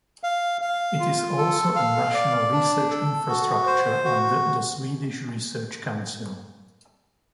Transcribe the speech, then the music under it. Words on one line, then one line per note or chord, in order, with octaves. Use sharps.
It is also a national research infrastructure under the Swedish Research Council.
F5
F5
F4
A4
F5
D5
D4
A4
F#4
C5
F#4